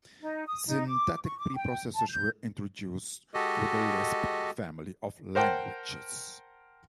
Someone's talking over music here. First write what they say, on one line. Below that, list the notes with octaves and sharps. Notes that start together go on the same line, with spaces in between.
Syntactic preprocessors were introduced with the Lisp family of languages.
D#4
D#6
D#4
D6
C#6
D6
G5
A5
G6
G#3 F#4 G4 A4 D#5
A#4 C5 F#5 G5 A5